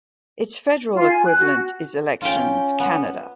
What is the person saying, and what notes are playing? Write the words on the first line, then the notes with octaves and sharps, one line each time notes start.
Its federal equivalent is Elections Canada.
F4
G#5
F#6
F#4
C#4 F4 G5
B3